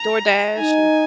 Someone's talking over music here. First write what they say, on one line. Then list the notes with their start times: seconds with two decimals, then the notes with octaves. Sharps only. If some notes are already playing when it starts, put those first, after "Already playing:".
DoorDash an
Already playing: A#5
0.58 D#4 G#5